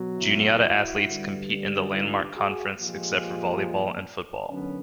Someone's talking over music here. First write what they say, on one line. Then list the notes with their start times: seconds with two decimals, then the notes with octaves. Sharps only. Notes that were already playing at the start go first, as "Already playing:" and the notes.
Juniata athletes compete in the Landmark Conference except for volleyball and football.
Already playing: B2 F#3
0.18 E4 F#4
1.05 G2 D3 G3
1.91 D#4 F4
2.34 F#4 G#4
2.77 A#2 F3 G#3 F4 G4
4.50 F#2 D3 F#3 B3 C#4